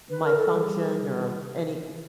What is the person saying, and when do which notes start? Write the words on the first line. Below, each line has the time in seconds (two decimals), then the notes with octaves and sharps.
my function or any p
0.10 B4
0.23 A#4
0.36 A4
0.50 G3 G#4
0.94 C3